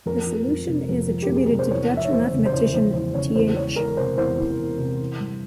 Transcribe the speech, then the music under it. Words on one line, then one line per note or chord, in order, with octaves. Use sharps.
The solution is attributed to Dutch mathematician Th.
F2 A#4
F3
F2
C3
F2
F3
G4
F2
G#4
C3 A#4
C5
E2 C#5
F3
E5
C#5
E2 C5
C#3
C5
E2 C#5
F3 C5
E2 C5
C#3 C#5
E2 C5
E3 C#5
E2 A#4
C3 C5
E2 C5
E3
E2
C3
E3
G2